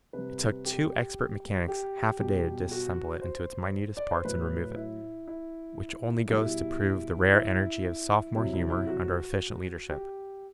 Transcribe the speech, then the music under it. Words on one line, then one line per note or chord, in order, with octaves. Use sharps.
It took two expert mechanics half a day to dissemble it into its minutest parts and remove it, which only goes to prove the rare energy of sophomore humor under efficient leadership.
C3 G3 B4
G4
G4
B2 G3 G4
F#4
C5
D5
C5
A2 F#3 B4
E4
E4
B2 G3 E4
E4
C3 F#3 E4
E4
E4
F#4
G4